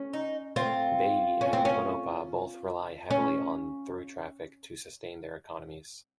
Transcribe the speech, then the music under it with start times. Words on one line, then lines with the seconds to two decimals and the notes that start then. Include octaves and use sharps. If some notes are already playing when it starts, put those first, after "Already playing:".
Beatty and Tonopah both rely heavily on through traffic to sustain their economies.
Already playing: C#4
0.13 D#4
0.56 C4 F4
1.41 C#4
1.53 C4
1.65 C#4
3.11 C#4